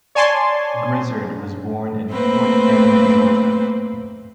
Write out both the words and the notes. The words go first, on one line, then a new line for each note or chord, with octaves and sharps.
Grizzard was born in Fort Benning, Georgia.
C#5 D5 G#5 A5 C6
A3 A#3 C4 B4 C5